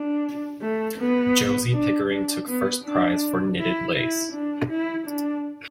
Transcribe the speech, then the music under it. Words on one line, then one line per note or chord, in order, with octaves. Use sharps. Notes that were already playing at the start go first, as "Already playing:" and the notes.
Josie Pickering took first prize for knitted lace.
Already playing: D4
A3
B3
D4
D4
B3
D4
E4
E4
D4
E4
D4